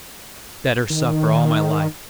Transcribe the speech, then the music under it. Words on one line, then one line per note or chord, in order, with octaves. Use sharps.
"Better suffer all my life."
D#3